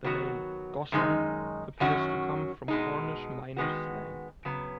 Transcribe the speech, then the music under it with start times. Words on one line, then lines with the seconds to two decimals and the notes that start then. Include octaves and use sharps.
The name "gossan" appears to come from Cornish miner's slang.
0.04 D#3 F#3 B3 F#4
0.92 F#2 D#3 G#3 D#4
1.80 F#2 D#3 F#3 C#4 F#4
2.68 B2 G#3 D#4
3.57 D#3 G#3 B3 F#4
4.45 C#3 F#3 B3